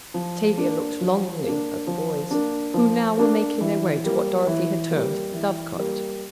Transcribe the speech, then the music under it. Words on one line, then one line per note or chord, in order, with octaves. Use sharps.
Tavia looked longingly at the boys, who now were making their way to what Dorothy had termed the Dove Cote.
F3
A#3 D4
F3
A#3 D4
F3
A#3 D4
F3
A#3 D4
E3
G3 A#3
E3
G3 A#3
E3
G3 A#3